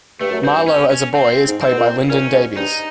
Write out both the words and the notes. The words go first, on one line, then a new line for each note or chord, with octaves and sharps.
Marlow as a boy is played by Lyndon Davies.
G2 A3
F#2
G2 C4
C#4
C#4
C4
G#2
C4
B2
A#2
A#2 C#4
G#2
G2 D#4